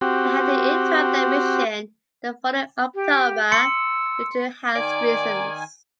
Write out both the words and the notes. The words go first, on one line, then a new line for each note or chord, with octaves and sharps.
They had to interrupt their mission the following October due to health reasons.
C4 F#4 G4
G4
C6 E6 C#7
D#3 D5 G#5